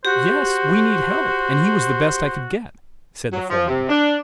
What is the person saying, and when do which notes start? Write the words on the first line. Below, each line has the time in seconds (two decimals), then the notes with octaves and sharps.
"Yes; we need help, and he was the best I could get," said the foreman.
0.05 F#4 G4 C5
3.32 F#3
3.49 F3
3.67 C3
3.88 D4